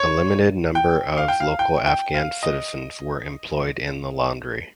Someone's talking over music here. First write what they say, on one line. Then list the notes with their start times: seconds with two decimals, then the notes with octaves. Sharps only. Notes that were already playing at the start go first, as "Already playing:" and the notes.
A limited number of local Afghan citizens were employed in the laundry.
Already playing: C#5
0.75 G5
1.17 F5
1.28 G5
1.40 F5
1.59 G5
1.86 G5
2.14 F5
2.43 D#5